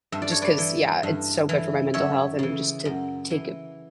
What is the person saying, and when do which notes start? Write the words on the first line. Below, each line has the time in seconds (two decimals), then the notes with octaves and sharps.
just 'cause, yeah, it's so good for my mental health and just to take a
0.12 G2 E5
0.22 D5
0.32 C#5
0.42 B4 D5
0.58 E3
1.03 G2
1.49 E3
1.94 F#2 C#5 E5
2.39 C#3 E3
2.85 F#2
3.30 E3